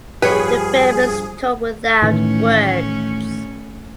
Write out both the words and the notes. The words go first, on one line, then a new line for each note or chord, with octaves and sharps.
The film is told without words.
G2 F3 B3 G4 G#4 B4 C#5
A2 D#3 E3 A3 C#4